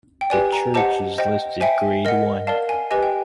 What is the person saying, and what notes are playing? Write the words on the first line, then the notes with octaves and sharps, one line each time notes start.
The church is listed Grade One.
G5
G4 B4 D5 G#5
A#5
G4 C5 D#5 F#5 A5
C5 D#5 G5
C5 E5 G5 G#5
A#4 D#5 F#5
A#4 D5 F5 A5
G#5
G4 B4 D#5 G#5
G5